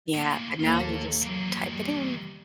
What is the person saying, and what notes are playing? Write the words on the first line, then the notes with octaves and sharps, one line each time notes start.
Yeah, and now you just type it in.
A2 A#3
D#2 A#3 F4 A4 A#5
E3 F#3 A#3
G3